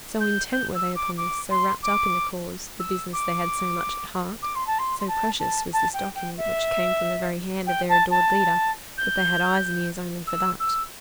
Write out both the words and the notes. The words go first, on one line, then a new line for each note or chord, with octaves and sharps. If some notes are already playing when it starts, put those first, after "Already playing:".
So intent were they upon this, so wrapt up in the cause, the business they had so much at heart, so precious was this document which came from the very hand of their adored leader, that they had eyes and ears only for that.
G6
G6
E6
D6
D6
C6
D6
E6
D6
D6
C6
A5
C6
C6
A5
A5
A5
G5
G5
E5
G5
A5
A5
G6
E6
E6